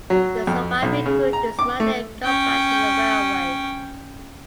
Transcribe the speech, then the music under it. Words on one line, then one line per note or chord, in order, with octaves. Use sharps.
The surviving crew dismounted and got back to the railway.
F#3
F2
B1
C#3
A#5
D6
A3
C#4 G5